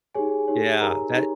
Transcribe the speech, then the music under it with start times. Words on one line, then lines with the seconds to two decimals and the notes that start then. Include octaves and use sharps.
Yeah. That
0.15 D#4 G4 G#4 C#5 G#5
0.48 D#4 G4 C#5
0.81 D#4 G4 A#4 C#5 A#5
1.14 D#4 G4 C#5